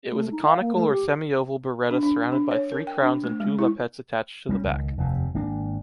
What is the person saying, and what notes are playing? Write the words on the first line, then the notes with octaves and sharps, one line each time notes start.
It was a conical or semi-oval biretta surrounded by three crowns and two lappets attached to the back.
A3
D#4
F5
A#3
A3
G4
D4
D4
D4
C#5
A#4
G5
D4
A3
G#3
E4
G3 B3 C#4
C#2 D#3
F1 D#2 C3
G#1 A#3 D4